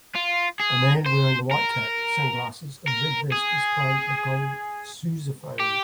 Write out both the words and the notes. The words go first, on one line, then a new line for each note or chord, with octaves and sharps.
A man wearing a white cap, sunglasses, and red vest is playing a gold sousaphone.
F4
G#4
C5
A#4
A#4
G#4
G4